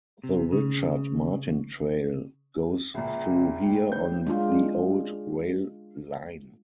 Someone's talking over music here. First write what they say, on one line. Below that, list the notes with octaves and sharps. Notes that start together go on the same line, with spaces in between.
The Richard Martin Trail goes through here on the old rail line.
C3
C#3
C#2 A#2 E5 A#5
A3 G5
D#3 C#5 G6
G#3 D4 F4